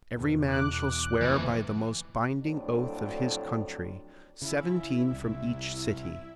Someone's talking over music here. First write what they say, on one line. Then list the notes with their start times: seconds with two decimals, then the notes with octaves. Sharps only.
Every man shall swear by the most binding oath of his country, seventeen from each city.
0.15 E2 B2
0.47 D6 F#6
1.21 F#1 D2 C3 E3 F3
2.43 F2 A2 F#3 D4
4.42 C#3 E4 E5
5.12 C2